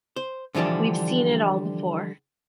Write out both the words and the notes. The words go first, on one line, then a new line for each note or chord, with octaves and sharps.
We've seen it all before.
C5
D3 E3 F3 G3 D4